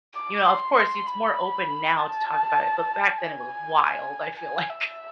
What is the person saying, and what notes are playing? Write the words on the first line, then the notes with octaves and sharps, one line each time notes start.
you know, of course, it's more open now to talk about it, but back then was wild, I feel like.
D6
C6
C6
B5
A5
G#5
G#5
E5